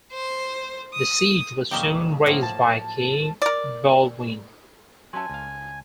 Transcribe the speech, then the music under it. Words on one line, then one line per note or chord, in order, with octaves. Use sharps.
The siege was soon raised by King Baldwin.
C5
D#6
F2 A#2 C#3 A#3 D#4 G4
A2 F3 F#3 A#3
A5
A#4 D5
F#3 C#4 E5 G#5 A5 C6
C#2 F5